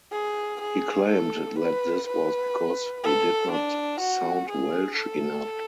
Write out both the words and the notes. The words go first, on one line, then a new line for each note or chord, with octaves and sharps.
He claimed that this was because he did not sound Welsh enough.
G#4
G#4
A4
B4
B4
A4
D4
F#4
G#4
A4